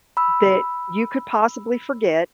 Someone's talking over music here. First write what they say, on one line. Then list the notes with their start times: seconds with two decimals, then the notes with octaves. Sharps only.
that you could possibly forget,
0.17 B5 E6